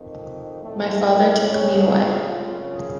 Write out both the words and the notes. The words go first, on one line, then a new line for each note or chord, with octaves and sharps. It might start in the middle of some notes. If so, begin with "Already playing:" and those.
My father took me away.
Already playing: F2 D#3
A2 A3
A#3
F2 C#3 C#4
F4
F#2 C#3 F4